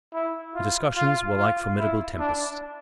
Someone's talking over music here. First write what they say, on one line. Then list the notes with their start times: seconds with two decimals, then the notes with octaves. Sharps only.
The discussions were like formidable tempests.
0.14 E4
0.55 F4
0.97 F4
1.37 F4
1.78 E4
2.19 D4